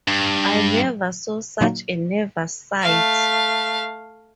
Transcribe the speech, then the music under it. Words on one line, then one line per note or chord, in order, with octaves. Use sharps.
I never saw such a nervous sight.
G2
A#2 D3 F#3 A#3 D#4 F#4
A3 F5